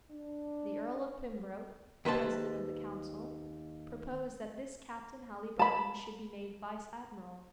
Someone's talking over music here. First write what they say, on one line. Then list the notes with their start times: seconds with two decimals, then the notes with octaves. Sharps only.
The Earl of Pembroke, President of the Council, proposed that this Captain Halyburton should be made vice-admiral.
0.12 D4
2.05 D#2 B4 C5 A5
5.59 A5 B5